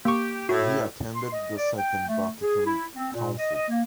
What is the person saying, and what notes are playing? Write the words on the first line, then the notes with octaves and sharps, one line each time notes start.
He attended the Second Vatican Council.
A#3 G4 C#6
A2 F#4
C6
D#5
D5
G5
A3
G#4
E4
C4
A#2
D#5
D#5
A#3